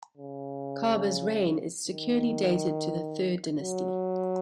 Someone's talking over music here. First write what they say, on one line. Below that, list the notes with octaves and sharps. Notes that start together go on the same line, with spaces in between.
Khaba's reign is securely dated to the Third Dynasty.
C#3
D#3
F#3